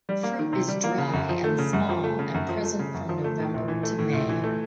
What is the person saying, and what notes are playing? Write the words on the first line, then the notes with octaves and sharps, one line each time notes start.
Fruit is dry and small and present from November to May.
G3
A#3
D#3
C3
G3
A#3
C#3
F#2
F3
A3
C#3
F#2
F3
A3
C#3
F#2
F3
A3
C#3
F#2
F3
A3
A2
A#1
E3
A3
A2
A#1
E3
A3